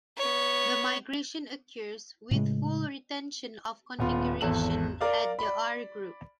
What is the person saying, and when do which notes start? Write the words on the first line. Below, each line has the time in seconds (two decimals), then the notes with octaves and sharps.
The migration occurs with full retention of configuration at the R-group.
0.17 B3 C#5
2.31 A2 C#3 G#3
3.99 D#1 B3 F4
4.41 G#1 E2 A4 E7 F#7
5.01 A#4 D5 F5
5.39 D5 B5